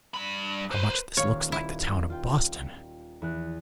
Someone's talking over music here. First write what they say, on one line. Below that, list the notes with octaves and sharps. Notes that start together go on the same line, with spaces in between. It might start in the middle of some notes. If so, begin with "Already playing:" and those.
How much this looks like the town of Boston!
G2 B5
B4 C5
D#1 C#5 F5
E4
F4 G5
E2 F#6